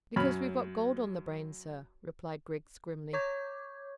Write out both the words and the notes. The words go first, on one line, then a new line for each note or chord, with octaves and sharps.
"Because we've got gold on the brain, sir," replied Griggs grimly.
F#2 C#4 B5 F6
C#5 C#6 D6 G6 G#6